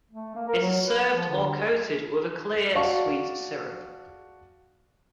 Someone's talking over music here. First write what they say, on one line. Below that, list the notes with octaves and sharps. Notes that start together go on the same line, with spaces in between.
It is served or coated with a clear, sweet syrup.
A3
A#3
A#4
F#3
B4
F3
D3
F#4 D5 F5 A5 C#6